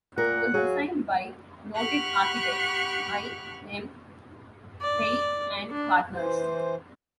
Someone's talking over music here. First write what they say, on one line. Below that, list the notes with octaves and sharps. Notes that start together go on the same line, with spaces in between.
It was designed by noted architects I. M. Pei and Partners.
A#2 A#4 F#5
F#3 G#4 F5
G4 F#5 B5 C#6 F6 F#6
D5
D4
E3 C5